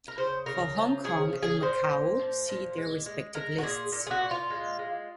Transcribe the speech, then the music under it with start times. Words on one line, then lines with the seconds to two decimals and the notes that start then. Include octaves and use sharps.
For Hong Kong and Macau see their respective lists.
0.08 A#4
0.18 C#3 C5
0.46 C#3 A#4
0.76 F3
1.04 C#3 G#4
1.33 C#3
1.42 G#4
1.62 A#2 C5
1.91 A#2
2.19 F3
2.49 A#2
2.78 G#3
3.06 G#3
3.34 G#3 A#4
3.58 F#4
3.63 A#2 G#4
3.92 A#2
4.07 G#4
4.11 F#4
4.21 A#2
4.31 F4
4.50 G#3
4.79 G#3